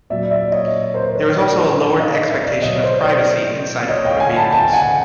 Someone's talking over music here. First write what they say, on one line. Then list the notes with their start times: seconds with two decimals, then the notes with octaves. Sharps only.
There is also a lowered expectation of privacy inside of motor vehicles.
0.10 A#2 F#3 D5 E5
0.31 D5 E5
0.52 C#5 D#5
0.94 A#4 C5
1.15 B4 C#5
1.99 D#5 F5
2.31 D5 E5
2.62 B2 F#3 C#5 D#5
2.83 C5 D5
3.05 C5 D5
3.89 C#5 D#5
4.05 F5 G5
4.20 F#5 G#5
4.36 A5 B5
4.52 G5 A5
4.73 F#5 G#5